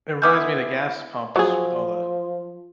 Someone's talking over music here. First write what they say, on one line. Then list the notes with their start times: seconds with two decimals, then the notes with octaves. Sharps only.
it reminds me of the gas pumps, with all the
0.22 G#3 B3 E4 D6 F6 G6
1.36 F3 F#3 G#4